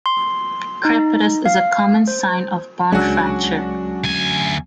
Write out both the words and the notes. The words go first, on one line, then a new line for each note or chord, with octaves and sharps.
Crepitus is a common sign of bone fracture.
C6
D#4
F5
C5
C#2 F#3 G#3 C#4 D4 F#4
D2 G#5